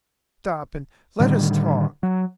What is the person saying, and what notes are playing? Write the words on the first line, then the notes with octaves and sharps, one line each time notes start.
"Stop, and let us talk."
A2 D3 D#3 G3
F#3